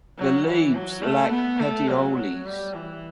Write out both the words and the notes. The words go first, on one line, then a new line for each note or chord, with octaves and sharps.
The leaves lack petioles.
F#3
E3
F#3
A3
B3
A3
F#3
F#3
G3
E3